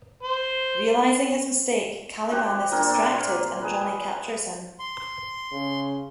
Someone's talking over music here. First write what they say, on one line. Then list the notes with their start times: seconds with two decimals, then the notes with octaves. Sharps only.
Realizing his mistake, Caliban is distracted and Johnny captures him.
0.23 C5
2.31 F#4 G4 C5
2.72 A#2 A#3 C4 D4
3.13 F4 C6
3.61 G#4 B4
4.79 C6
5.52 C#3